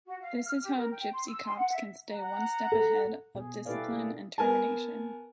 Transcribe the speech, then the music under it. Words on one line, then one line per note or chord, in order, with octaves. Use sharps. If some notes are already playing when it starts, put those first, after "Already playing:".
This is how gypsy cops can stay one step ahead of discipline and termination.
F#4
F5
F6
G4
A#4
G5
C6
E6
C6
F#5
E5
F#5 A#5
A4
B2 G#4
E4 G4 A4 B4 D5 F5
A3 A#3 G#4
B3 A#4 G#5 A5